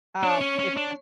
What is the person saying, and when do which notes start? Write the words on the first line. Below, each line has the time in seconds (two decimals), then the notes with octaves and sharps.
Um, if if
0.23 D4 C#5
0.41 C#4
0.59 C#4
0.77 D4